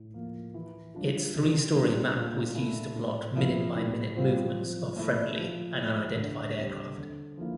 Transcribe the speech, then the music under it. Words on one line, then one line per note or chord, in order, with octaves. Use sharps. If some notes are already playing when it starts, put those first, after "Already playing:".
Its three-story map was used to plot minute-by-minute movements of friendly and unidentified aircraft.
Already playing: A2
F3 A#3
E3
G3 D4 F4
C3
G3 D4
A#2
A3 E4
A2
F3 A#3 E4
A2
G3 C4 F4
F3
A3 E4
F3
A3 E4
D3
G3 C4
D3
F3 A#3 E4